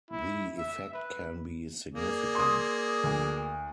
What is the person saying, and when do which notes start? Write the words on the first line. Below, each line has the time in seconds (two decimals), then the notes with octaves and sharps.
The effect can be significant.
0.11 E4
0.58 E5
0.94 B4
1.94 A#3 G#4 D5
2.35 C6 D#6
3.04 D2